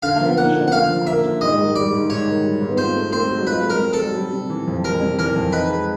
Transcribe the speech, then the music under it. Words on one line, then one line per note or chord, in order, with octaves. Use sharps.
An additional coach house roof winch is provided for the halyards.
D3 F5
F3
A#3 F#5
D3
F#5
D3 F5
F3
A#3 E5
D3
G#2 D#5
D#3
G3 D5
G#2
G#2 C#5
D#3
G3
G#2
F4 C5
A3
C4 C5
F#3
F4 B4
A3
A#4
C4
A4
F#3
G3
C3
E3
F2
G3 A#4
C3
E3 A#4
F2
D#4 B4
G#3